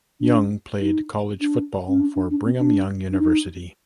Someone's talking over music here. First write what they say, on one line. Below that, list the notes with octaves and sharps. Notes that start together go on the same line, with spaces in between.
Young played college football for Brigham Young University.
D4
D#4
D4
C#4
D4
D4
D4
C4
D4
D4
D#4